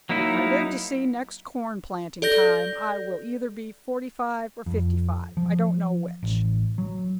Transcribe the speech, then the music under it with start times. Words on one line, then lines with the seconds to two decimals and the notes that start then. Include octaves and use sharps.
"If I live to see next corn-planting time I will either be forty-five or fifty-five, I don't know which."
0.09 F#3 A#3 D#4 E4
2.22 A4 D5 G6 A#6
4.66 F2
5.37 F3
6.23 A1
6.78 F#3